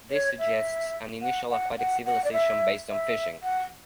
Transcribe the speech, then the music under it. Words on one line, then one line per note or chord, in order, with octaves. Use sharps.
This suggests an initial aquatic civilisation based on fishing.
C#5
E5
F#5
F#5
F#5
F#5
D5
E5
E5
F#5